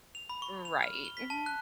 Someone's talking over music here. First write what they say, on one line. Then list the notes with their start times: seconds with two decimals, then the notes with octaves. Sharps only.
Right. Mhm.
0.15 F7
0.29 B5
0.42 C#6
0.65 F7
0.83 F6
1.05 G7
1.17 B6
1.30 A5
1.46 F#6